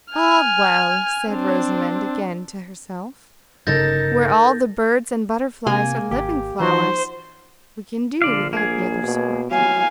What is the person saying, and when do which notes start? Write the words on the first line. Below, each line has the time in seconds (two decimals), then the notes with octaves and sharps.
"Ah, well!" said Rosamond again to herself, "where all the birds and butterflies are living flowers, we can do without the other sort."
0.12 G#5 F6
1.28 C4 D4
3.67 G1 C#3 D#4 A4 A#4 G6 A6 A#6
5.67 C3 A#3 G#5
6.11 G#1 G4
6.60 E3 F3 D#4 F#4 C5
8.22 A#1 D3 D5 F5
8.53 A#3 G#4
9.03 B2
9.51 F#3 F5 G#5